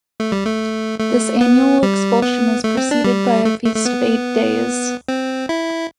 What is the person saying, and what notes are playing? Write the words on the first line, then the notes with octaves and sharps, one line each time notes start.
This annual expulsion is preceded by a feast of eight days.
A3
G3
A3
A3
B3
G3
B3
A3
C4
D4
G3
A3
A3
A3
B3
C4
E4